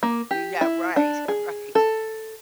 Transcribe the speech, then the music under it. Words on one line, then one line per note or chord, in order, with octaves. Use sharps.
Yeah, right, right.
A#3
G4
E4
D4
G#4
A4